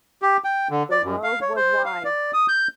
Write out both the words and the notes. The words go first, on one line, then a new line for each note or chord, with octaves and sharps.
The road was wide.
G4
G5
D3
D5
F#2
F5
C#5
C5
F5
D5
D#6
G6